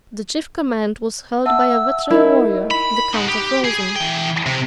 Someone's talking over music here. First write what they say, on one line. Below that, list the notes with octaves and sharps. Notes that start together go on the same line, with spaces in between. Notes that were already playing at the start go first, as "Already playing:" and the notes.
The chief command was held by a veteran warrior, the Count of Rosen.
E5 F#5 A5 E6
D#4 E4 A#4 D#5
B5
D#4 F#5
G4
G#4
E3 G5
C3